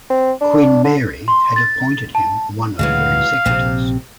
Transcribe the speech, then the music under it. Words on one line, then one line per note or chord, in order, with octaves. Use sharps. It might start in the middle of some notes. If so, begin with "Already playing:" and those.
Queen Mary had appointed him one of her executors.
C4
D4
D3
C6
A6
A5
D2 A#2 C#3 E3 F#3 G#3 F5
A#1 C3 C4